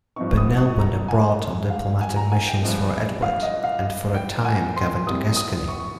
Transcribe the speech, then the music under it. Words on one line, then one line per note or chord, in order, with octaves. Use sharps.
Burnell went abroad on diplomatic missions for Edward, and for a time governed Gascony.
G2 F3 C4 D#4 C#6
D#6
C#6
A#5
G#5
F5
G#5
A#5
G#5
G5
G2 F3 G#3
F5
D#5
F5
G5
G#5
C6
C2 C3 G3 A#3 D#6
D#6
C#6